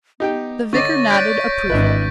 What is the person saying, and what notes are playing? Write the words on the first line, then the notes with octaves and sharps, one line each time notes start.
The vicar nodded approval.
B3 D#4 G4 G5
D3 C#5 D#5 C#6 D6 A6 A#6
D5 F#6 G6 B6 D7
G#1 D4 E4 B4 D#5